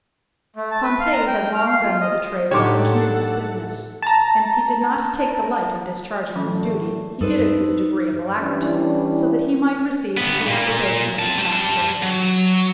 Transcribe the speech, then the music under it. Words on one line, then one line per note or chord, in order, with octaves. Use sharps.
Pompey had long been with the trader, and knew his business; and if he did not take delight in discharging his duty, he did it with a degree of alacrity, so that he might receive the approbation of his master.
A3
A5
B4
F5
A#5
G5
G5
F6
F5
F4
D#5
A2 G3 D4 D#4 A4 C#5 F#5 D6
A5 A#5
A2 D3 E3 F#3 A3 C#4
G2 D#4 A4 B4 C5
E3 G3 C#4 D4 E4
G2 B3
A#2 A#3
C4 A5
G3 A5
F#3